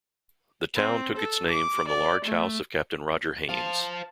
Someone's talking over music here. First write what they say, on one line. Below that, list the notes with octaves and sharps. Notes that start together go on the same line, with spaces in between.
The town took its name from the large house of Captain Roger Haynes.
C4
A4
D6
D5
A3
C5 F5 A5